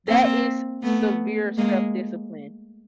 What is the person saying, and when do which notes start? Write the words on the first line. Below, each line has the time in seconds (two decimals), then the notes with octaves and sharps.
that is severe self-discipline.
0.08 A#3 C4
0.83 A3 B3
1.58 G#3 A#3